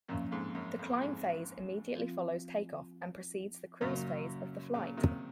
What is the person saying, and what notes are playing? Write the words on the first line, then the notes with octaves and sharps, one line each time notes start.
The climb phase immediately follows take-off and precedes the cruise phase of the flight.
F#2 A#2 F3 A#3 C#4
F2 G#2
F#2
F2
F2 G#2
F3 C4 F4
F#2 A#2 C#3 F#3 C#4 F#4
A#2 C#3
C3 D#3